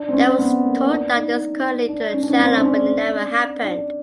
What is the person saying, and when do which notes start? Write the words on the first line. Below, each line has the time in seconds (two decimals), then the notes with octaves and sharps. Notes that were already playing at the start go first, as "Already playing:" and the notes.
There was talk that this could lead to a channel but it never happened.
Already playing: D4
0.09 C4
0.13 C#4
0.39 B3
0.64 A#3
0.88 D4
1.14 D#4
1.89 D4
2.14 C#4
2.22 D4
2.29 C#4
2.39 C4
2.57 C#4
2.64 D4
3.64 D4